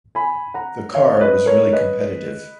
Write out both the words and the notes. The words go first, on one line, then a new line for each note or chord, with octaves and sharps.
The car was really competitive.
G#5 B5
F#5 A#5
C#5 F5
B4 D#5
A#4 C#5
B4 D#5